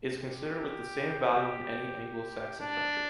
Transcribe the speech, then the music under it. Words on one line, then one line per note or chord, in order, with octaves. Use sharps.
Is considered with the same value in any Anglo-Saxon country.
G4
D4